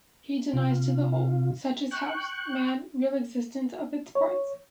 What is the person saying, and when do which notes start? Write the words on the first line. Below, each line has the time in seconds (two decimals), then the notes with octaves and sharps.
He denies to the whole, such as house, man, real existence of its parts.
0.53 C3 F4
1.91 G5 C#6 F#6
4.15 C#5